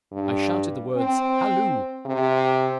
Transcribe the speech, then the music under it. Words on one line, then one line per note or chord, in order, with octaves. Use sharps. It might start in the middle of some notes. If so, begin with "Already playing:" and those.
I shouted the words 'Halloo!
G2
C4
C3